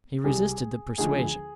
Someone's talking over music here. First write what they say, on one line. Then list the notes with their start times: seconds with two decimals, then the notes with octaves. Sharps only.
He resisted the persuasion.
0.24 C2 C3 G3 G#4
0.98 D2 D3 F3 G#3 G#4